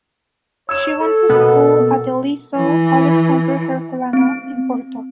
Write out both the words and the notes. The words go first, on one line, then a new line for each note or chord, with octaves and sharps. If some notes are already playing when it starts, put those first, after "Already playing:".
She went to school at the "Liceu Alexandre Herculano" in Porto.
C#5 E6 E7
A4
B2 B3 A#4
E3
C4 D7